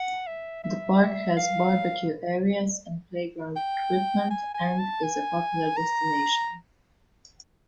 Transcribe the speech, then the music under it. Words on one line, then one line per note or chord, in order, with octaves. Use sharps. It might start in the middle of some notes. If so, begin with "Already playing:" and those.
The park has barbecue areas and playground equipment, and is a popular destination.
Already playing: F#5
E5
E5
F5
G5
G#5
G#5
A5
G#5
A#5